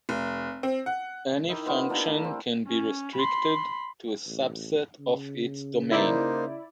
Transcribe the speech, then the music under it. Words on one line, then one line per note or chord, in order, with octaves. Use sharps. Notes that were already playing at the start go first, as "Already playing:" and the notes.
Any function can be restricted to a subset of its domain.
F1
C4
F#5
D#3 D#4 E4 D6
B3 F4 D#5 F#5
A#3 D4 E4 G4
A3 A#3 D4
C4
C#4
B5 C6
A1
C#3
A#3 D#4 E4 C5 D5